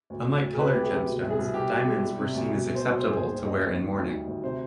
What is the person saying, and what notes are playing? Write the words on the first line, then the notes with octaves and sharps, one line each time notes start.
Unlike coloured gemstones, diamonds were seen as acceptable to wear in mourning.
D2
D2
D2
G#4
C3 B4
D2 G4
G#4
G#3
B2
C2
G#4
C2
B2 G4
B2
G#3
G3
C3
D2
B2
B2
C5
G3
G3 C5
G#4
D#2
G#4
D#2 C5
G1 D#5
D#3
D#3
D2
G3
D2
C3 C5